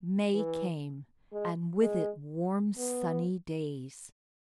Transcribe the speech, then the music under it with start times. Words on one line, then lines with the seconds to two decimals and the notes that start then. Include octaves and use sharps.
May came, and with it warm sunny days.
0.35 E3
1.32 G#3
1.80 G#3
2.78 B3